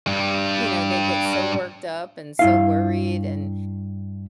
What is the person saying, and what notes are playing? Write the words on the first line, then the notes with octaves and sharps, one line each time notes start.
you know, they get so worked up and so worried and,
G2 G3
G2 E4 F5